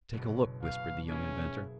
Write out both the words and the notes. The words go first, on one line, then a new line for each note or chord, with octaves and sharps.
"Take a look," whispered the young inventor.
F#1 B2
B2 F5
A#3 C#4 E4 G#4